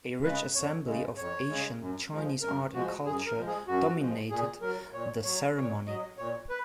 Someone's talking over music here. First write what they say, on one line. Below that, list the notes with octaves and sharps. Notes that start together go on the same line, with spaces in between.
A rich assembly of ancient Chinese art and culture dominated the ceremony.
C#3 G#3 B4
F2 C#5
C#3 G#3
F2 C#5
C#3 G#3
F#2
F3 G#3
F#2 A#4
F3 G#3 F#4
F#2 G#4
A#4
F3 G#3
G#4
F#2 F#4
F3 G#3
A#2 G#4
F#3 A#4
A#2 C#5
F#3 C#5
A#2 C#5
F#3 D#5
A#2 C#5
B4